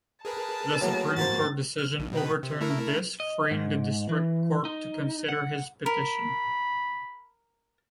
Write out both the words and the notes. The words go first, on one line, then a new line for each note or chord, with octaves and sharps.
The Supreme Court decision overturned this, freeing the District Court to consider his petition.
G#4 A#4 B4 A5
A2 F#3 A#3
G#2 F3 A#3 F#4 A#4 C5 A6
F6
A#1
B2 D#3 B4
C3
A3 E4 A#4
D#5
G#2
E3
D#4
F#5
A#4 B5